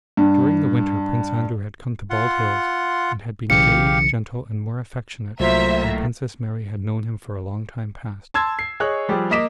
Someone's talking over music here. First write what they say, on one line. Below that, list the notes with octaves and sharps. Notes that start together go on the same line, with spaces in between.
During the winter Prince Andrew had come to Bald Hills and had been gay, gentle, and more affectionate than Princess Mary had known him for a long time past.
G2
F4 F#5 C6
B1 C#3 E3 G4 F5 C#7
C2 A2 F#3 A#3 F4 C5 E5 A#5
A5 C6 E6 G#6
C7
G#4 C#5 D#5 C#6 F#6
F3 G3 G4 G#4
A#3 D#5 D6 B6 E7